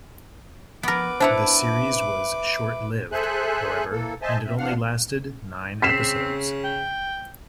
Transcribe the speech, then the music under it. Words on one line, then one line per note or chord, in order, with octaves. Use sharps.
The series was short-lived, however, and it only lasted nine episodes.
F3 B3 A#4 B4 D6
D4 E4 C5 E5 F#5 A5 B5
G#4 A4 C5 E5 G#5 F#6
E3 A#3 A4
C5 D#5 E5 G#5 A5
C4 E5
C3 E3 D4 F5 F#5 F6
C#3 C4 B6 C7 E7
G5